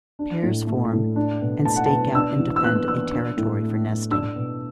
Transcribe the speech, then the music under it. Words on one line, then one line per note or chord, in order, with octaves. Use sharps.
Pairs form, and stake out and defend a territory for nesting.
D4
A2
A3
A2
D4
B2
A3 A5
F#5
B2 A5
D4 E6
E3
E6
B3 F#6
E3 E6
D4
A2
A3
A2
D4 E6
B2